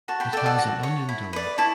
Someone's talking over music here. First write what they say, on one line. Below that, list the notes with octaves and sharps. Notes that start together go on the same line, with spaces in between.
It has an onion dome.
F#4 A5 C#6
G5 B5
A4 D5 E5 G5
F#5 A5
F#4
C#5
E4
B4 D5
E4 A5 C#6